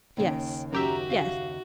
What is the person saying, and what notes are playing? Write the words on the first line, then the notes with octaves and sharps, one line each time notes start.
Yes, yes.
D#2 C#3 G5
F#2 F#4 G4 E5 A#5
F5